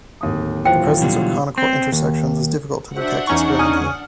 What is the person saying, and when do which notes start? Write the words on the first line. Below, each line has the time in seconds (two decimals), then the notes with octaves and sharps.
The presence of conical intersections is difficult to detect experimentally.
0.21 D1 D#2 D#6
0.65 E3 F#3 F4 C5 G5
1.02 B2 D3 G3
1.58 C4
1.92 D#2
2.95 D4 F#4 C5 E5 F#5
3.27 E2 C#4 D#4 C#6
3.59 G#5 D#6 F6